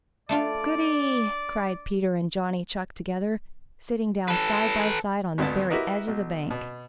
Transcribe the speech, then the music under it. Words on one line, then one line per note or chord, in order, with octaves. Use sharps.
"Goody!" cried Peter and Johnny Chuck together, sitting down side by side on the very edge of the bank.
A3 D4 F4 D5
A4 B4
G#1 D2 B3 A5
E4 F#4 G4 A#4 B4 D#5
B1
B2